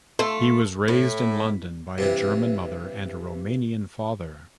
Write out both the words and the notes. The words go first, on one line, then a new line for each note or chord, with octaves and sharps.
He was raised in London by a German mother and a Romanian father.
A3 F4 A4 C6
A2 E4
G2 C3 E3